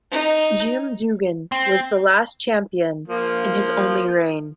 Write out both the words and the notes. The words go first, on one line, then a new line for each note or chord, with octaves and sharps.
Jim Duggan was the last champion in his only reign.
D#4
C4
F3 A#3